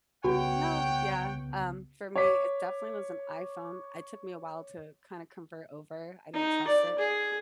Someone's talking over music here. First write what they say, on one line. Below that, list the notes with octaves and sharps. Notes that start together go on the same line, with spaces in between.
No, yeah, um, for me, it definitely was an iPhone. It took me a while to kinda convert over, I didn't trust it.
C2 C#3 B3 F#4 C#5 F#5 G5
C#5 D6 B6
D#4
D5
G#4